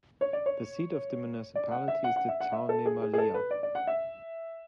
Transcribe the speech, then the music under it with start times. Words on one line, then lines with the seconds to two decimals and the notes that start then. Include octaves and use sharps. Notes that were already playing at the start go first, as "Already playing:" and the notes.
The seat of the municipality is the town Memaliaj.
0.21 C#5
0.33 D5
0.46 C#5
1.55 D5
1.71 F#5
1.88 E5
2.04 F#5
2.16 F#5
2.28 E5
2.40 F#5
2.52 E5
2.69 A4
2.86 G#4
3.02 G#4
3.13 G#4
3.18 A4
3.34 B4
3.51 D5
3.63 D5
3.75 F#5
3.87 E5